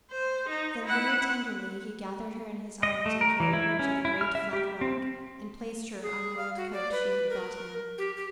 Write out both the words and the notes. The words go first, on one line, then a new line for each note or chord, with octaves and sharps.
Then very tenderly he gathered her in his arms and carried her to the great flat rock and placed her on the old coat she had brought him.
C5
D#4
E4 F#5
D#5
A3
A#4
E3
E4
C#4
E4
F6
E5
G4
C4
G#4
F5
F#4
D5
B4
A#4
G4
G4